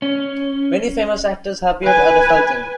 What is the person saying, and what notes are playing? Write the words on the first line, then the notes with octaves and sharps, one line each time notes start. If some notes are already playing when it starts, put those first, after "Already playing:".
Many famous actors have appeared at the Fulton.
C#4
B4 G#5